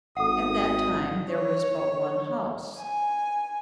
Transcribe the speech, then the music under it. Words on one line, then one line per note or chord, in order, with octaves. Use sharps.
At that time there was but one house.
G#1 A4 F#5 D#6
C#5
G#5